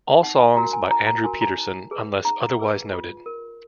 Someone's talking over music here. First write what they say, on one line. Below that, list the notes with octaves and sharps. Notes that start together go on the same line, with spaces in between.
All songs by Andrew Peterson unless otherwise noted.
D#4 F#5
G#5
F#4 A#4 A#5
G#5
D#4 A#5
A#5
F#4 A#4 G#5
A#5
D#4
G#4 B4
D#4 A#5
G#4 B4
F4
A#4